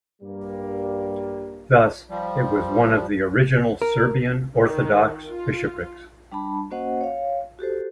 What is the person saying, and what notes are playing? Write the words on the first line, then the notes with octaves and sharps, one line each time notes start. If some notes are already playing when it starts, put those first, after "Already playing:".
Thus, it was one of the original Serbian Orthodox bishoprics.
G2 G3 A#3
F3 G3
A#4
D#3
F4
G3 D4 A5 B5
A#3 C#4 F#4 C5 D#5 F#5
C#5 F5
F#4 G4 A4 C5